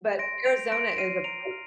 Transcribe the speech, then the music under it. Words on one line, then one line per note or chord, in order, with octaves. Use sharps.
but Arizona is a pla
C6 A#6 D7
G6 D7 F7
C6 A#6 D7
F6 C7 D#7
A#5 D7 F7
F6